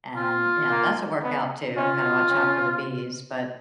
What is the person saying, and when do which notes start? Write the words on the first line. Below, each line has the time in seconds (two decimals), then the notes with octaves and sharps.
and, you know, that's a workout too, gotta watch out for the bees, but
0.17 C4 F4
0.70 A#3
1.23 B3
1.76 C#4 F4
2.30 C#4